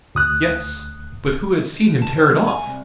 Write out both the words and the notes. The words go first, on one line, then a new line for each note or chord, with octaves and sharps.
Yes! but who had seen him tear it off?
D2 D#6 F#6
E2
A5
C5
F3
G#5
C2